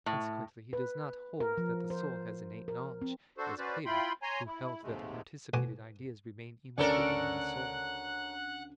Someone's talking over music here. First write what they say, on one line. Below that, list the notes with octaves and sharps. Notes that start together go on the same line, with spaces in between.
Consequently he does not hold that the soul has innate knowledge, as Plato, who held that the participated ideas remain immovably in the soul.
A2
B4
A#4
F3
C5
A#4
C4
D4 F#4 A4 C5
C#4 F#4 B4 C5 D5
E4 F4 G5 B5 C6
C#5 G#5 A#5 C6
E4
D#2 G#2 C3 G#3 A3
D2 B2 F#5 G#5 D6
D2 C#3 C#4 A4 A#4 D5 F#5 F#6